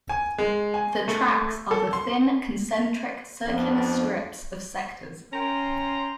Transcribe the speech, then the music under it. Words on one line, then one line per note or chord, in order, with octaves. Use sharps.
The tracks are the thin concentric circular strips of sectors.
G#5
G#3
G#5
A3
A4
C6
F2 B3 D4
C#4 G5 A#5 C6